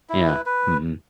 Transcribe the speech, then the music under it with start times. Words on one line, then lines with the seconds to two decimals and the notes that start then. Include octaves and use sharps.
Yeah, mhm.
0.09 E4
0.28 B4
0.46 B4